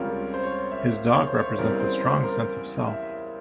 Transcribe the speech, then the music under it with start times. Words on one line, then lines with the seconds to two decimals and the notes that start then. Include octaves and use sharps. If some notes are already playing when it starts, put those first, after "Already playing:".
His dog represents a strong sense of self.
Already playing: C#2 C3 G3 C#4 F4 A#4
0.34 C5
0.43 C#5
0.71 E5
1.15 C#5
1.27 C5
1.40 C#5
1.58 E2 C#3 E3 G3 C4 A#4
1.80 C5
2.01 C5
2.23 A#4
2.87 E5